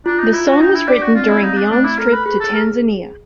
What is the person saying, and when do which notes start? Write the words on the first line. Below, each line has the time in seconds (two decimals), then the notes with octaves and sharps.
The song was written during Beyond's trip to Tanzania.
0.06 D4 F4
0.19 D#4
0.33 E4 F4
0.48 F#4
0.60 D4 D#4
0.74 E4
0.88 G4 D5
1.02 F#4
1.15 C4 F4
1.29 E4
1.43 C4 D#4
1.57 D4
1.71 A3 D4
1.84 E4
1.98 A4 A#4
2.12 B4
2.26 G#4 B4
2.40 A4
2.53 G#4 A#4